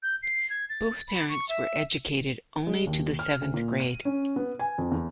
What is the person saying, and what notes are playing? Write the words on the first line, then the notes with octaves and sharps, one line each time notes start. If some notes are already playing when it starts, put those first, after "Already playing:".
Both parents were educated only to the seventh grade.
G6
C7
G#6
A6
B5
C#6
E5
G#3
D#2
F6
D2
A#2
D#7
C#4
B3
G#5
F2
E2